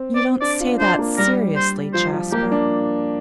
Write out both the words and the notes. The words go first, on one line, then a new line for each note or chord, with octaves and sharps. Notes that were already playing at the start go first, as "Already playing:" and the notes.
'You don't say that seriously, Jasper?'
Already playing: C4
D5
D4 D5
F4
D4 C5
A#3
G3 A#4
C5
F3 C5
F3
A#3 G4
D4